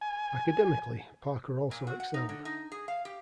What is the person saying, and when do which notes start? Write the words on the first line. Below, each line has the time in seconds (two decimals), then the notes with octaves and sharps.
Academically, Parker also excelled.
0.01 G#5
1.71 A#2
1.87 F#4
2.00 F#5
2.14 D#4
2.29 D3
2.45 D#4
2.72 G#4
2.88 F5
3.05 G4